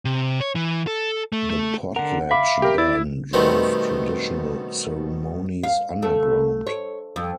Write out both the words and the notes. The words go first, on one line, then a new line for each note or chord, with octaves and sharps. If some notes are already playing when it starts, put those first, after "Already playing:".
The Potlatch ban drove traditional ceremonies underground.
C3
C#5
E3
A4
A3
A3
D3 A#4 F#5
E5 F5 B5 D6
G4 A#4
E4 D5 E6
B2 D#3 G3 A3 B3 C4
F5
A3
C#5
F2